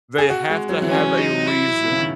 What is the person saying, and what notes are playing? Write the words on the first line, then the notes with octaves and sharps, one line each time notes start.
They have to have a reason
G#4
F#4
G#3
F#3
E3
C#4
F#3
D#4
E4
B2
C#3
D#3